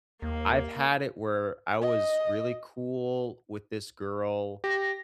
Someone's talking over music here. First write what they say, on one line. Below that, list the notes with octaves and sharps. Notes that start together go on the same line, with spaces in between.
I've had it where I was really cool with this girl,
D#2 A#3
D#5
G4 A#6